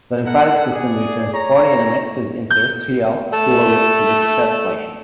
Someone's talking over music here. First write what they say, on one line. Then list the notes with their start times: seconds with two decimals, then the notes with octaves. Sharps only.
The lymphatic system returns protein and excess interstitial fluid to the circulation.
0.25 E4 A4 A#4 F#5
0.69 G#4 D5
1.33 C#5 A#5
2.50 G6
3.33 A3 A5